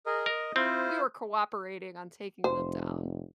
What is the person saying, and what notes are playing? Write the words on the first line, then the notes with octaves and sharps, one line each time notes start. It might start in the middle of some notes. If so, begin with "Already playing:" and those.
We were cooperating on taking them down.
G#4 A#4 D#5
A#4 D#5
C4 E4 F4 C5
F1 C5